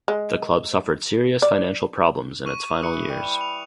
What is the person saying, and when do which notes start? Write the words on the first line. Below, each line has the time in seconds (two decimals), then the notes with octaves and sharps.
The club suffered serious financial problems in its final years.
0.08 G#3
1.42 D5
2.46 C#6 D#7
2.82 E3 D#6 F#6 C#7
3.09 G3
3.41 F7